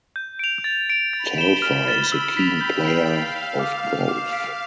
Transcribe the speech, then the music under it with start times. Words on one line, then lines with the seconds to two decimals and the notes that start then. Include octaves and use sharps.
Telfer is a keen player of golf.
0.16 G6
0.39 D7 F7
0.64 A6
0.90 D7 F7
1.13 B5 A6
1.38 E7 G7
1.62 B5 F6
1.88 A6 E7 G7
2.12 E6
2.37 B6 F7
2.60 G5 G6
2.85 C7 F7
3.09 F5 A6
3.34 C7 F7
3.59 F5 D6
3.84 F6 C7 F7
4.09 D6
4.32 F6 B6 D7